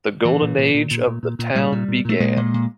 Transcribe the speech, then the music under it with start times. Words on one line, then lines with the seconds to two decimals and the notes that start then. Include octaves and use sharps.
The Golden Age of the town began.
0.25 A#2 E3
0.42 A#2
0.58 A#2
0.74 A#2
0.91 A#2
1.07 A#2
1.23 A#2
1.39 A#2
1.55 A#2 G3
1.72 A#2
1.88 A#2
2.05 A#2 A3
2.20 A#2 G#3
2.37 A#2
2.54 A#2